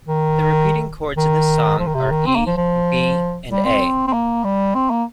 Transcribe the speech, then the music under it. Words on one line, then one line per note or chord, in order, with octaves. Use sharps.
The repeating chords in this song are E, B, and A.
D#3
D#3
F3
D#3
C3
D#3
C4
A#3
F3
F3
G3
C4
C4
A#3
G3
C4
A#3